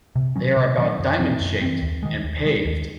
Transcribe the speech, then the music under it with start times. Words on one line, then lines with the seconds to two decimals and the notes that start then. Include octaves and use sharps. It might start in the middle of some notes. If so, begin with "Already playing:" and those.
They are about diamond-shaped, and paved.
0.16 C3
0.36 D#3 F#3 C#4
0.57 C3
0.78 D#3 F#3 C#4
0.99 F#2
1.19 E3 C4
1.41 F#2
1.61 E3 C4
1.82 D#2
2.03 D#3 G#3
2.23 D#2
2.45 D#3 G#3
2.65 D#2